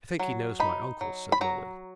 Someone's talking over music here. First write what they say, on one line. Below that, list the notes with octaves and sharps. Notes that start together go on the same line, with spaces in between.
"I think he knows my uncle," said Lily.
F#3
D#4 B5
F#3
B5
F#3 A#5